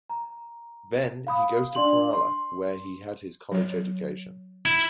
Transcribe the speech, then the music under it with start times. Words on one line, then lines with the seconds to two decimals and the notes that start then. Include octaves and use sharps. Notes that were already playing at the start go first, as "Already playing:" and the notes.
Then, he goes to Kerala where he had his college education.
0.10 A#5
1.27 F5 B5 D#6
1.75 D4 D5 C6 F#7
2.13 C6
3.52 F#3 C#5
4.65 E4